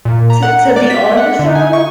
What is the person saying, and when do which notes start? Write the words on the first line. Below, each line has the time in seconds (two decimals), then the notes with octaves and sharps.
To to be on the show?
0.05 A#2
0.30 A#5
0.43 F#5
0.76 D5
0.90 B6
1.17 F#5
1.39 D3
1.55 G#5
1.73 C#6